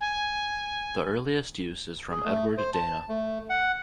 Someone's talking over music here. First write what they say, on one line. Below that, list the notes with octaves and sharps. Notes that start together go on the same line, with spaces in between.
The earliest use is from Edward Dana.
G#5
G#4
A3
C5
A5
A3
F#5